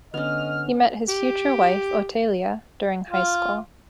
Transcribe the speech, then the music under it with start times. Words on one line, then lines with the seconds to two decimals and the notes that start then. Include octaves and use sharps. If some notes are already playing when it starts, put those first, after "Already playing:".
He met his future wife, Otelia, during high school.
0.14 D3 B3 C#4 D#5 F6
1.10 G4
3.10 F4